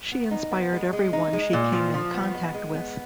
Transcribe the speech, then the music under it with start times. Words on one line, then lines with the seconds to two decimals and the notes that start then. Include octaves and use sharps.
She inspired everyone she came in contact with.
0.12 B3
0.31 D#4
0.51 B3
0.73 G#3
0.93 G#3
1.13 D#4
1.33 G#3
1.53 A#2
1.73 F3
1.94 F3
2.14 B3
2.34 G#3
2.54 G#3
2.74 B3